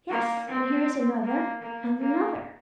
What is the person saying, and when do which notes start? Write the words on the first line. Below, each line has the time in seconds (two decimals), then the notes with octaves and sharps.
Yes--and here is another, and another.
0.10 A#3
0.48 C4
1.24 A#3
1.62 A#3
2.00 A#3